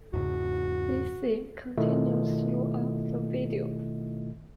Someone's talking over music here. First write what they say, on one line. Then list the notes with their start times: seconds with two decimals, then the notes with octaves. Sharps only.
This theme continues throughout the video.
0.13 E2 G#2 C#3 F#4
1.78 B2 D#3 A3 E4 F4 D#5